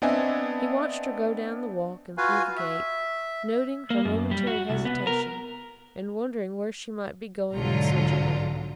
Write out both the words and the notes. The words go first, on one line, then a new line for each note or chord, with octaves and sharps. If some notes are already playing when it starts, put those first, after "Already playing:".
He watched her go down the walk and through the gate, noting her momentary hesitation and wondering where she might be going in such a wind.
B3 C4 D4 D#5 E5 G#5
F4 F#4 B4 F5 G#5
E5
A#3
F#2
G3
F#4
C2
B3
A#4
B1 G#2 D3 F#3 F4 A#5